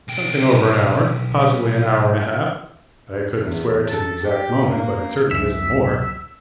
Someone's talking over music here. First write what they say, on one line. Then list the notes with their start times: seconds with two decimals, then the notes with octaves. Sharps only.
'Something over an hour,--possibly an hour and a half; I couldn't swear to the exact moment, but it certainly isn't more.'
0.08 B1 G5
3.41 E2
3.89 A4
4.24 G4
4.68 A#3
5.31 C#2 F#2 G#3 E5